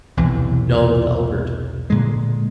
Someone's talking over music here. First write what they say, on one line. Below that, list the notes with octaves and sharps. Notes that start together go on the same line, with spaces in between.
No, Halbert!
B1 E2 C3 E3
A#2 D3 G#3